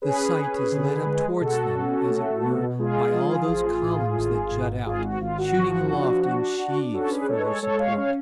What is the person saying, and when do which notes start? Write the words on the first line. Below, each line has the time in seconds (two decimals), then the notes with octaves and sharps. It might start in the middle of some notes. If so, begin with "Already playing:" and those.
The sight is led up towards them, as it were, by all those columns that jut out, shooting aloft in sheaves, for their support.
0.02 C#4 G#4 B4
0.38 C#4
0.71 D3
1.06 G#3
1.41 B2 F#4 A4
1.75 C#4
2.09 A3
2.44 B2
2.79 G#3 F4 G#4
3.13 F3
3.48 A1
3.82 A2
4.18 G#1
4.51 G#2
4.86 G#1 F4 G#4
5.03 F#4
5.21 G#1 F4
5.38 F#4
5.55 F3
5.90 D4
6.25 D4
6.59 D4
6.93 C#4 F#4 A4
7.11 G#4 B4
7.28 G#3 A4 C#5
7.39 B4
7.45 A4 C#5
7.62 G#3 A4 C#5
7.79 C#5 F5
7.97 C#4 C#5 F5